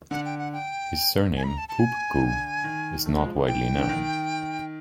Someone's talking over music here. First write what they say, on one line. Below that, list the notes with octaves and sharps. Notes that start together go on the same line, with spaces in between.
His surname, Poupko, is not widely known.
D3 F#5
G5
F#5
G5
G#5
B5
A#5
A5
A5
G#5
D3
D#3
A3
G#3
F3
E3
G5
D3
D#3